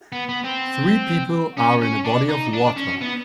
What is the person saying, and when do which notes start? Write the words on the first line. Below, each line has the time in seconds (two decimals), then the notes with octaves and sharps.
Three people are in a body of water.
0.12 B3
0.29 B3
0.44 C4
1.57 C#4
1.81 C#4
2.04 D4
2.29 D#4
2.53 D4
2.77 C#4
3.02 B3